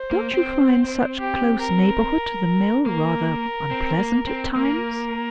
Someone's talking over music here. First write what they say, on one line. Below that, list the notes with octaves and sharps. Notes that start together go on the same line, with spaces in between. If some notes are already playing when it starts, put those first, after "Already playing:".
'Don't you find such close neighbourhood to the mill rather unpleasant at times?'
Already playing: C5
A#3
C4
G4
A#4
A#3 A#4
C4
A#3
C4
A#3 A#4